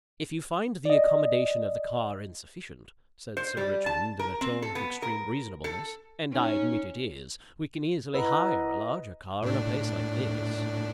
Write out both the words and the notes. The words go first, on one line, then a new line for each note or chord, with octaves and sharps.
"If you find the accommodation of the car insufficient," said Sir Richmond in a tone of extreme reasonableness, and I admit it is, we can easily hire a larger car in a place like this.
D5 D#5
C5
G3
A5
A#4
C4
A4
B3
A#4
A4
C#4 D#4
E4 B4 D#5 F#5 A#5
A2 D4